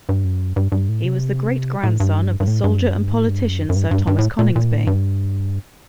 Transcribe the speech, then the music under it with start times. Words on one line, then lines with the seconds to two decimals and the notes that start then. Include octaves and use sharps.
He was the great-grandson of the soldier and politician Sir Thomas Coningsby.
0.09 G2
0.24 F#2
0.56 G2
0.72 G2
0.89 A2
1.04 C3
1.83 A2
2.00 G2
2.40 G2
2.47 A2
2.64 G2
2.80 F#2
2.96 G2
3.12 A2
3.27 G2
3.43 F#2
3.69 F#2
3.76 G2
3.91 G2
4.07 G2
4.18 A2
4.39 A#2
4.56 A#2
4.71 A2
4.87 G2